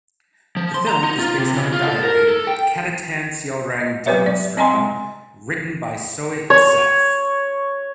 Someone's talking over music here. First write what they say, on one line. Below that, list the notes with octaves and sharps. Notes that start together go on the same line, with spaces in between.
The film is based on a diary "Catatan Seorang Demonstran" written by Soe himself.
F3
C6
A#5
D#4
F4
C3
C#3
F4
A4
A#4
A4
G5
D#5
F#3 B3 G4 B4 C#5 E5
D5
C4 D#5 G#5 A#5 C6
G#3
C#5